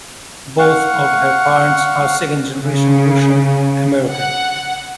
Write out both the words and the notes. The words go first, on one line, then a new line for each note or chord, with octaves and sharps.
Both of her parents are second-generation Russian American.
F5 F#5 C#6
C#3
F#5